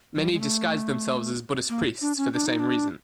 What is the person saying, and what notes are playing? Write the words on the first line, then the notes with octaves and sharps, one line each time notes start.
Many disguised themselves as Buddhist priests for the same reason.
F#3
G3
G#3
A3
A#3
D4
C#4
D4
D#4
D4